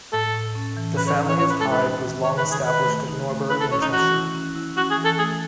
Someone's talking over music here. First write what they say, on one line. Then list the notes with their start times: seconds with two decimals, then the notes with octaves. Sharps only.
The family of Hyde was long established at Norbury in Cheshire.
0.13 A2 A4
0.34 A2
0.55 C#4
0.77 E3
0.97 C#4 B4
1.07 C#5
1.19 C#4
1.29 C#5
1.39 C#4 C#5
1.50 B4
1.60 G#3 A4
1.71 B4
1.82 D#4
2.02 D#3
2.23 D#3 C#5
2.38 B4
2.45 D#4
2.52 G#4
2.66 D#3 B4
2.86 A3
3.08 D#4
3.30 A3
3.50 E4 B4
3.60 A4
3.72 C#4 C#5
3.82 D#4
3.93 E3 F#4
4.13 E4
4.35 C#4
4.55 E4
4.77 C#4 F#4
4.91 G#4
4.98 E3
5.05 A4
5.19 A3 G#4